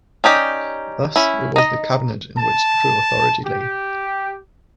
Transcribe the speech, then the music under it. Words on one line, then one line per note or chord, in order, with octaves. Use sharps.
Thus, it was the cabinet in which true authority lay.
C#4 D#4 G4 D5
C#4 E4
D#4 D#5
A5
G4